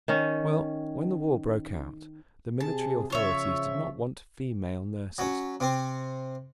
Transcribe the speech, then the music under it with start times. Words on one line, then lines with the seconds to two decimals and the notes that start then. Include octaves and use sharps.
Well, when the war broke out the military authorities did not want female nurses.
0.08 D#3 C#4
2.61 C3 G#4 A5
3.10 C#3 F3 F4 C#5 E5
5.18 F#3 C#4
5.60 C3 C4